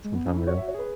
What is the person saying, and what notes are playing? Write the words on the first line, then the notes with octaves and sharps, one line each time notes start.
sometime ago.
G#3
B3
C#4
E4
F#4 C#5
F#4 E5
C#5
G#4 B4